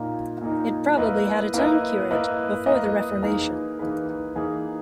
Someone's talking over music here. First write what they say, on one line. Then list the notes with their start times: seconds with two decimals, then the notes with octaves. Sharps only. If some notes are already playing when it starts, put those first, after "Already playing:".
It probably had its own curate before the Reformation.
Already playing: A#2 A#3 D#4
0.41 A#2 A#3 D#4
0.97 A#3 E4 B4 D#5
1.54 A#3 E4 B4 D#5
2.11 A#3 E4 B4 D#5
2.66 A#3 E4 B4 D#5
3.23 E3 A#3 D#4 G#4 B4
3.79 E3 A#3 D#4 G#4 B4
4.36 E3 A#3 D#4 G#4 B4